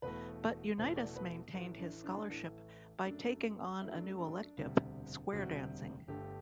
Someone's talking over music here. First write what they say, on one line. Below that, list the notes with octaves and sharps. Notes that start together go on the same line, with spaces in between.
But Unitas maintained his scholarship by taking on a new elective: square dancing.
E1 E2 B2 A3 B4
E1 E2 B2 A3 C5
D5
B4
A1 A2 E3 A3 F#4
D4
D4
A1 A2 E3 A3
F#2 F#3 A3 D4
F#2 F#3 A3 E4
D4
D4
E1 D2 C3 G3
E1 D2 C3 G3 F#4
G1 G2 D3 A3 G4